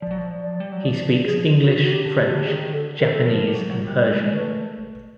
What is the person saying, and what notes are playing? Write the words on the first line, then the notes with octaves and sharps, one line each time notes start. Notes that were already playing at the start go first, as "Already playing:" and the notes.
He speaks English, French, Japanese, and Persian.
F3 D5
F#3
F3
D5
G3
F#3
F3 D5
G#4
D#3 F#4
F#4
G4
D3
G4
F#4
D3 G4
D#3 G#4
D3 A4
D#3 A#4
A4
F3 A#4
G3
F#3
F#3
G3
G#3 A#4
A3 B4